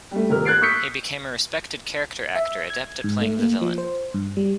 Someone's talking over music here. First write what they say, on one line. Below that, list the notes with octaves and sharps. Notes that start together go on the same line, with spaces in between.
He became a respected character actor, adept at playing the villain.
G3 A3
D#1 C3 A#4 F6
F#6 G#6 A6 C7 D7
C#6 D#6 E6 G6 B6 C#7
E5
G#6
G#2
A3
A#3
F3
C5
G2
G3